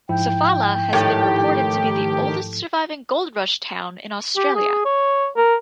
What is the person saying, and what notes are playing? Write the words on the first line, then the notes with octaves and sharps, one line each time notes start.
Sofala has been reported to be the oldest surviving gold-rush town in Australia.
G#2 F3 E4 G5
A2 D#3 G4
G4
G#4
C#5
A#4